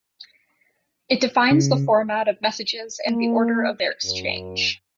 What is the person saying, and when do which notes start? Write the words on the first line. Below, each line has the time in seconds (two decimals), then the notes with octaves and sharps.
It defines the format of messages and the order of their exchange.
1.51 C#3
3.08 A#3
4.05 F#2